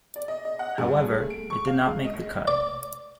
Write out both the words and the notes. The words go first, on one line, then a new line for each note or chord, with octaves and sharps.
However, it did not make the cut.
D5
D#5
D#5
F#5
G2
G#4
A3
D7
C#6
F5
G#2
D#5
D5